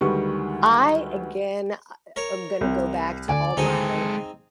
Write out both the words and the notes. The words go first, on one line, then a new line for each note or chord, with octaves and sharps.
I again I um, I'm gonna go back to all my
D2 D#3 G3 G#3 B4 C#6
A#4 C#5
C2
D2 D3 D5 G#5
D2 D#3 G#3 C4 D#4 G#4 A4